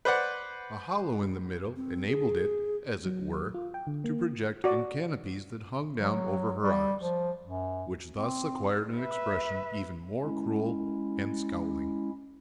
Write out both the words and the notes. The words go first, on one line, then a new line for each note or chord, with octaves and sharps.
A hollow in the middle enabled it, as it were, to project in canopies that hung down over her eyes, which thus acquired an expression even more cruel and scowling.
B4 C5 D5 F#5
C4
G#4
F#3
F4
G5
D3
A#3
F#4 D5
F#3
G3
F3
F#2
C4
B4 E5
G#3 C#4 E4